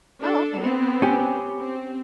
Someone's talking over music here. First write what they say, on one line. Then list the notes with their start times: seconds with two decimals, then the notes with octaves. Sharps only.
Oh, okay.
0.20 D4 A4
0.60 B3 C4
1.02 C#4 G4
1.60 C4